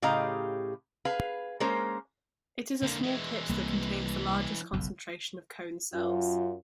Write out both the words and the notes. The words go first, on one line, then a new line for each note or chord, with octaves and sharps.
It is a small pit that contains the largest concentration of cone cells.
A2 C#3 G4 D#5 F5 A#5
G#4 B4 F5
G#3 A#3 C#4 A#4 C5
D3 A#3
E3 G#3
C2 A#3
F#1 B1 F2
F#2 F4